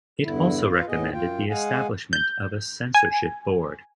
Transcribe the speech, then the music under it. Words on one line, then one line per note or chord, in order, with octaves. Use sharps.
It also recommended the establishment of a censorship board.
E2 G2 D3 E4
F4 B4 F5
A2 B3 G#4 D#5
F#2 F4 G5
G#3 G#4 F5 F#5 G#5
G6
G#5